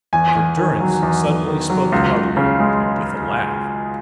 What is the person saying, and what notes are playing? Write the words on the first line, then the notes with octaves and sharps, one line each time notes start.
For Durrance suddenly spoke heartily, and with a laugh.
E2 G#5
E2
D#3
F#3
E2
E2
D#3
F#3
C#2
C#2
C#3
G#3